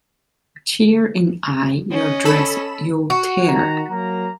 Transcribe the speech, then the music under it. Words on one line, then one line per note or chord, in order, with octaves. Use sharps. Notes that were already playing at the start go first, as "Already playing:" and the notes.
Tear in eye your dress you'll tear.
C#4 D#5
A4 B5 E7
F#4
D#3 A#5
F#3 A#3 A#5